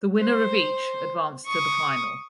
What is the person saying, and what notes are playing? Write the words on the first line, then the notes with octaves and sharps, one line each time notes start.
The winner of each advanced to the final.
C5
C#6 D#6